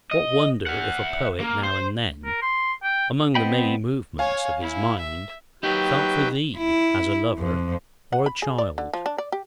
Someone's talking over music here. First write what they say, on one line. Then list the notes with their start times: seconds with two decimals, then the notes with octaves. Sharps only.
What wonder if a Poet now and then, Among the many movements of his mind, Felt for thee as a lover or a child!
0.11 D#5
0.67 E5 F#5
1.40 A#3
1.63 C5
2.25 A#4
2.42 C6
2.83 G5
3.35 B3 C4 D#5 G5 B5
4.19 C#5 F5 G#5
4.61 E4
4.98 E5
5.63 F#3 D#4 G4 B4 G5
6.58 E4
7.39 F2
8.13 F#5
8.26 B5
8.42 G#4
8.58 D5
8.78 D3
8.93 F3
9.06 D4
9.18 D5
9.32 G4